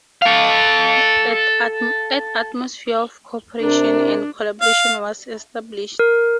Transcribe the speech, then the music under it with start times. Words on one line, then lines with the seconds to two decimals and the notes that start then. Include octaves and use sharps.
An atmosphere of cooperation and collaboration was established.
0.22 A4 F5
3.61 C3 D4 A#4
4.62 F5
5.99 A#4